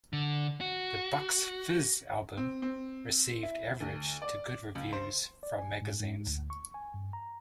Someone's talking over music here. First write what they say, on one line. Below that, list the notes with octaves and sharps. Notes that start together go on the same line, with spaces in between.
The "Bucks Fizz" album received average to good reviews from magazines.
D3
F#4
C4
C4
E4
D2
D5
C#2
C5
D5
G#5
G#2
G#2
D2
C#6
G#5
G2
A#5